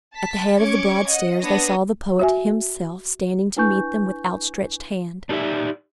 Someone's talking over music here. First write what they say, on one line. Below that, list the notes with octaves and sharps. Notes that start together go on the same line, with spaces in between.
At the head of the broad stairs they saw the poet himself standing to meet them with outstretched hand.
A5 B6
C#4 C#6 D6 G#6
D#5 F#5
B3 D4 C#5 D#6 A#6
F#4 E5 G#5
D4 E4 B4 G#5 C#6 G6
D4 D#4 G4 G#4 D5 E5